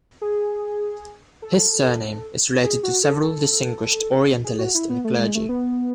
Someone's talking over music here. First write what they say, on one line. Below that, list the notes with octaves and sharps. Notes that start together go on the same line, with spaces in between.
His surname is related to several distinguished Orientalists and clergy.
G#4
A4
G#4
F#4
A4
A4
G#4
F#4
E4
B3
A3
G#3
A3
B3